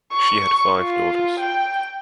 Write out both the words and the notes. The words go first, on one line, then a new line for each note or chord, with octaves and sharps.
She had five daughters.
C#6
F4
G5